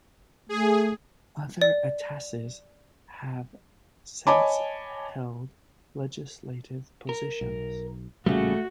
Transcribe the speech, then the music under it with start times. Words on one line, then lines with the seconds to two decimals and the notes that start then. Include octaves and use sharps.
Other Atassis have since held legislative positions.
0.49 A3 G#4
1.62 D5
4.27 C#5 D#5 G#5 A5 B5 D6
7.09 A#4
7.41 B1
8.26 A1 A#2 C#3 G3 A3 F#4